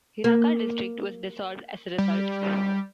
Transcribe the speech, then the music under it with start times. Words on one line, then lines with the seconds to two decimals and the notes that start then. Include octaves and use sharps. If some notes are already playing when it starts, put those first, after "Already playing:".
Hiraka District was dissolved as a result.
0.24 A#3
1.98 G3